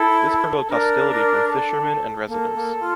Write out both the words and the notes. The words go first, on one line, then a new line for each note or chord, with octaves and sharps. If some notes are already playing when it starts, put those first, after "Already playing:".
This provoked hostility from fishermen and residents.
Already playing: E4 A4
A4
D4 A#4
A#4
A4
A#3 A4
A#3
F4